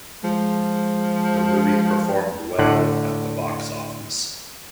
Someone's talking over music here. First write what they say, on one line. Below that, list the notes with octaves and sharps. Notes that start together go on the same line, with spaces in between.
The movie performed well at the box office.
F3 G#3
A2 D3 F#5